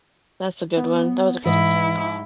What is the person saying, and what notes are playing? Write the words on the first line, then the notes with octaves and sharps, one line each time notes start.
that's a good one, that was a good example.
B3
G#2 E3 E4 D#5